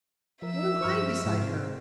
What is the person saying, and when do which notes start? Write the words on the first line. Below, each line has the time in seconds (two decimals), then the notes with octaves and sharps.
What am I beside her?
0.42 F3 A#4 E5 E6
0.81 G2 F3 C5 C#6 F6
1.24 G#2 C3 C4 E4